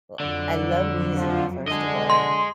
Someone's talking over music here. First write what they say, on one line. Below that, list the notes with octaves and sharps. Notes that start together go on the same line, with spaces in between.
Wel I love music, first of all, and
F2 D3 F#3
F3 F4
D3 G#4 D#5
C6